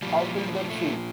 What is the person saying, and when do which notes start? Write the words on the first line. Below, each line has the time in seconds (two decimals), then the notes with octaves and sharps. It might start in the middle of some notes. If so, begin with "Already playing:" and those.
How will that suit?
0.02 A#2 F3 G3
0.19 G3
0.36 G3
0.54 G3
0.70 A3